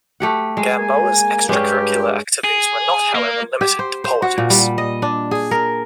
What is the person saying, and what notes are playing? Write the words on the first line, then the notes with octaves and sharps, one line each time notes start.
Gamboa's extracurricular activities were not, however, limited to politics.
A3 G4 F#5
G#3
A#3 G#5
G2 G#3 C#4 G4
G#4
A#3
G4
C5
C5
F#4
A#2
G3
D#5
D4
G#4
A#4